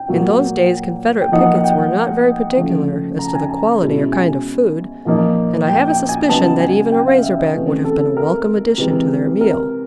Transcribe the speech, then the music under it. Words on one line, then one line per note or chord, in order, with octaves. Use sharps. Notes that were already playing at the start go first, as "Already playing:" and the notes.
In those days Confederate pickets were not very particular as to the quality or kind of food, and I have a suspicion that even a "Razor Back" would have been a welcome addition to their meal.
Already playing: G5
A#2 F#3 A#3
G5
F3 A#3 D#4 F#5
F#5
G5
C#3 F3 A3
A#5
A5
G#5
A5
A#5
B2 G#3 C#4 E4
G#5
A#2 F3 A#3 D#4
G5
G5
G#5
C#3 F#3 B3 D#4 A5
A5
G#5
G5
F5
E5
D#5
C3 E3 A3 C#4 E4 B4
A4
A#4
C3 E3 G#3
A#4